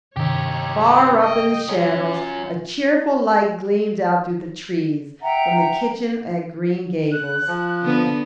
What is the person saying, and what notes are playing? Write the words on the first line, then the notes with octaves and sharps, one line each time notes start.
Far up in the shadows a cheerful light gleamed out through the trees from the kitchen at Green Gables.
G2 C3 D#3 D#4 G4 C#5
D#5 G5
F#3 C#4 F4
E5 F#5 G5 A#5
F#6
F3
D3 B3